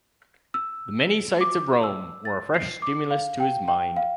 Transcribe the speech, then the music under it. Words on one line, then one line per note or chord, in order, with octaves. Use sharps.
The many sights of Rome were a fresh stimulus to his mind.
E6
D6
E6
A6
C7
D6
F5
G5
G5
F5